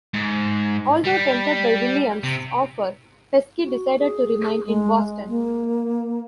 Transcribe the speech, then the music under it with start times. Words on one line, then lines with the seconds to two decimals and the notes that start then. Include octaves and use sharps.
Although tempted by Williams' offer, Pesky decided to remain in Boston.
0.14 G#2
1.04 G3
2.24 C3
3.63 F#4
3.99 G#4
4.66 G#3
5.28 A#3